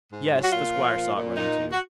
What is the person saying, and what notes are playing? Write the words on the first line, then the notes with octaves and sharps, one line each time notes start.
Yes, the Squire saw it running too.
G#2
F#3
F#4
A#2 F4
F3
A#2
A#2
A#2 D#4
A#2
F#4